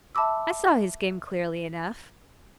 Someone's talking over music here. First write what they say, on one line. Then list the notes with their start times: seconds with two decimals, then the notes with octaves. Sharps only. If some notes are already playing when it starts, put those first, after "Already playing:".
I saw his game clearly enough.
0.15 E5 A5 B5 D6 E6